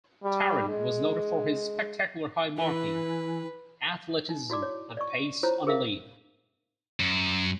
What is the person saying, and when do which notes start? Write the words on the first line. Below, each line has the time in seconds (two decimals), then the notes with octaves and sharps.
Tarrant was noted for his spectacular high marking, athleticism and pace on a lead.
0.24 G3
0.68 G#3
2.58 E3 B4
4.29 D#4
4.50 E4 F#4 D5 D6
4.62 C#5
4.97 D5 D#5 C#6
5.43 E4 F4 C5 C#5 A#5
5.66 E4 G#4 A#4 E5 F5
7.00 F#2